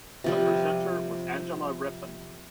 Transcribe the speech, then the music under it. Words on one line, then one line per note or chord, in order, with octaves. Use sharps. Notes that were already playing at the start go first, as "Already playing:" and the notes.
The presenter was Angela Rippon.
C3 F3 G3